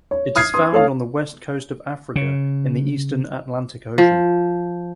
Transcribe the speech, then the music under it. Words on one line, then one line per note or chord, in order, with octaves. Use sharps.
It is found on the west coast of Africa in the eastern Atlantic Ocean.
C#5
D#6 F6 G#6 C7
B4 C6 D#6
A3 A4 C#5 F5
C#3
F3